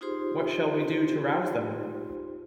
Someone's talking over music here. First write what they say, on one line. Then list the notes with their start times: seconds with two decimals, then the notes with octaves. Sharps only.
What shall we do to rouse them?
0.01 D#4 F4 G4 G#4 C5 C6